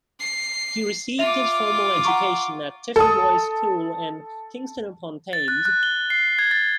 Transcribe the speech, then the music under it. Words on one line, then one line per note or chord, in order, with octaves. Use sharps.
He received his formal education at Tiffin Boys School in Kingston upon Thames.
C7
F4 E5 D6 F7
F#5 A#5 C#6
A4 D#6
A6
F#6
F#6
G7
C7
G#6
A6